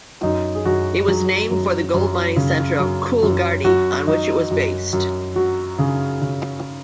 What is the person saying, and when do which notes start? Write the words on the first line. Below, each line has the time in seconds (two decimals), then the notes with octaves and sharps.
It was named for the gold-mining centre of Coolgardie, on which it was based.
0.23 F#2 D#4
0.55 G#4
0.65 F#2 F#4
1.08 F#3 G#4
1.51 F#2
1.94 F#2
2.36 C#3
2.79 F#2
3.23 F#2
3.64 F#2 F#4
4.07 F#3 D#4
4.51 F#2
4.93 F#2
5.36 F#3 F#4
5.79 C#3 G#4
6.22 C#3